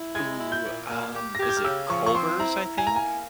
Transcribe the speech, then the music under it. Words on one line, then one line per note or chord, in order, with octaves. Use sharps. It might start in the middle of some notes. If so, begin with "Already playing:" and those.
Ooh, um, is it Culver's, I think?
Already playing: E4
G#3 G#6
E4
G6
A#2
A#3 F6
G4
A#6
G4 G#6
G6
F6
C#3 E6
F3 C#6
C#6
C4 C6
E4 A#5
E4
G#5
A#3 A#5
G#5